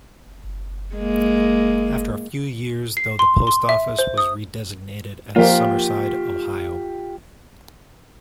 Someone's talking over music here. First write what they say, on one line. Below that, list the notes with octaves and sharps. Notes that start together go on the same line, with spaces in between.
After a few years though the post office was redesignated as Summerside, Ohio.
G#3 A#3
C7
C6
C6
E5
C5
D#6
F3 A#3 F4 G4